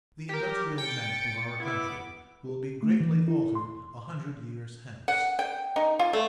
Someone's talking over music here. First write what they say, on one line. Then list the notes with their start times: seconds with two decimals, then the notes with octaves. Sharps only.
The industrial map of our country will be greatly altered a hundred years hence.
0.29 G4 A#4
0.78 G5 A6 C#7
1.60 B3 E4 D6
2.49 G4
2.83 A3
3.01 E3
3.28 E4
3.55 C6
5.08 F#5
5.39 G5
5.76 D#4
5.99 F4
6.13 A3